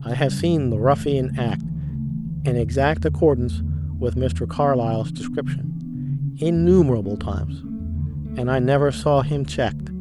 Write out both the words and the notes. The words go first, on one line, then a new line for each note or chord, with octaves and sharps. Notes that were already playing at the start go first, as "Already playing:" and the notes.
I have seen the Ruffian act in exact accordance with Mr. Carlyle's description, innumerable times, and I never saw him checked.
Already playing: C#3
C#4
G3
F#2
C#3
A3
E3
D2
C#3
A3
E3
D2
C#3
A3
E3
D2
D3
E2
A3
E2
D3
E2
A3
E2
D3
E2
A3
E2
E3
D4
B3
C#3
E3
D4
B3
C#3
E3
D4
B3
C#3
D3
C#4
A3
E2
D3
C#4
A3
E2
D3
C#4
A3
E2
D3
D2
A3
D2
D3
D2
A3
D2
D3
D2
A3
D2
F#3